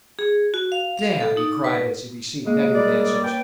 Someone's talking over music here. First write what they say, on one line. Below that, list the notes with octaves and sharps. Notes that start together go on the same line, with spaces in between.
"Damn!" he cried as he received negative answers.
G#4
F#4
F5
F5
A4
D#4
B4
G#3 A#3
F#2 G3 D5
C#4 B4 G5